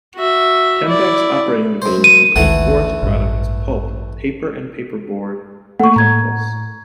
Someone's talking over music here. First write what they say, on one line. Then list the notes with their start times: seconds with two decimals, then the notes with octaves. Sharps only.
Tembec's operating divisions include Forest Products, Pulp, Paper and Paperboard, and Chemicals.
0.15 F#4 E5
0.84 E4 D5
1.82 F#2 C5
2.04 D#7
2.36 G#1 D2 D#3 E3 A3 F#5
3.03 A1 G2
5.80 A3 A#3 A4 F#5 C#6
5.96 A2 A#5 G#6